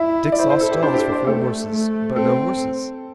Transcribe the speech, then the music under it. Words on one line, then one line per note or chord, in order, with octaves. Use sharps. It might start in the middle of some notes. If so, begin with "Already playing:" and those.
Dick saw stalls for four horses, but no horses.
Already playing: E4 E5
D5
E4 C5
C5
A4
G4
D4 C5
G4
A4
C5
A3 A4
A3
C4 A4